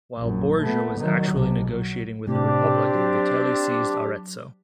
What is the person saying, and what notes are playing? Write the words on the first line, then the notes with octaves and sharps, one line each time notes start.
While Borgia was actually negotiating with the republic, Vitelli seized Arezzo.
A#1 F#2
A3 B3
D#3 F#3
B1 C3
F#3
A2 C3 C4 D4 G4
F#3